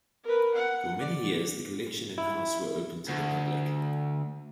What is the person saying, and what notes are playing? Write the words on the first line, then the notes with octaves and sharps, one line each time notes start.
For many years the collection and house were open to the public.
A#4 B4
F#5
D5
E4
D2